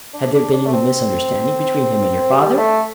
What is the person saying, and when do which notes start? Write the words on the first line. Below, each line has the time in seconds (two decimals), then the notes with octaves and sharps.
"Had there been any misunderstanding between him and your father?"
0.13 D4
0.34 D4
0.53 D4
0.66 A3
0.73 C4
2.32 G3
2.58 A3